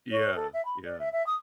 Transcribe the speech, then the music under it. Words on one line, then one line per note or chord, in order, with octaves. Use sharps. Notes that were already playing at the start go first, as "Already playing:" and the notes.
Yeah. Yeah,
C#5
A4
E5
B5
D5
E5
E5
D#6